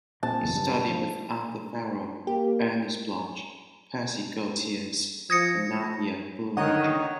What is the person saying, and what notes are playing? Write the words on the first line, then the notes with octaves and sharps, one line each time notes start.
He studied with Arthur Farwell, Ernest Bloch, Percy Goetschius, and Nadia Boulanger.
A#2 C4 A5
F#1 E2
G2
F3
A#3 G4
F3 D#6 G#6 A#6 C#7
D3 D#3 D#4 C#5 D#5 F#5 D#6